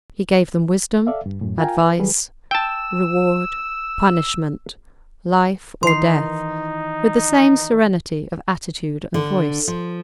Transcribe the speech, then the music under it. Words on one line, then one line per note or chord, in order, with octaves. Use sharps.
He gave them wisdom, advice, reward, punishment, life or death, with the same serenity of attitude and voice.
A4 D5 E5 F5
G2
F#2 A2
F4 A#4 F5 G5 G#5 A#5
B4
D#3 F#3 G3 G#4 B4
G5 A5 E6
D#3 E3 D#4 C6 C7
D3
F3